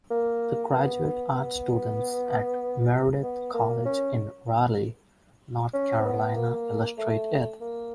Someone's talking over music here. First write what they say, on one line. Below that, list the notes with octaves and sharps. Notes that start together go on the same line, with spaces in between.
The graduate art students at Meredith College in Raleigh, North Carolina illustrate it.
A#3
B3
B3
B3
A#3
C#4
C#4
C4
B3
A#3
A3
A#3